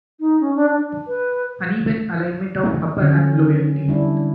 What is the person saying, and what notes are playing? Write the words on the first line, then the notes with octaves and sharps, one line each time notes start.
Uneven alignment of upper and lower teeth.
D#4
C#4
D4
D4
B4
D3 F#3 C#4
G3 D4 E4